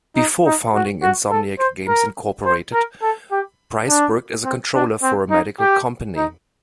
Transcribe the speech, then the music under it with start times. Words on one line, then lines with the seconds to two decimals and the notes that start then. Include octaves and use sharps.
Before founding Insomniac Games, Incorporated Price worked as a controller for a medical company.
0.16 D#4
0.45 D#4
0.74 F#4
1.02 F#4
1.31 A4
1.59 C5
1.88 A#4
2.45 C5
2.73 A#4
3.02 A4
3.31 G4
3.88 D4
4.44 C4
4.74 D4
5.03 C4
5.31 D#4
5.60 G4
6.16 D#4